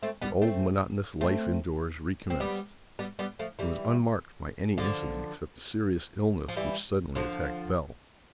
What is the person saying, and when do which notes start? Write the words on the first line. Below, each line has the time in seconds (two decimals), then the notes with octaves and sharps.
The old monotonous life in-doors recommenced, and was unmarked by any incident except a serious illness which suddenly attacked Bell.
0.03 A3 C4
0.22 G3 B3
0.42 A3 C4
1.21 A3 C4
2.30 C4
2.40 G3 B3
2.99 G3 B3
3.19 G3 B3
3.39 F3 A3
3.59 E3 G3
4.78 D3 F3
6.48 F3
6.56 E3 G3
7.15 D3 F3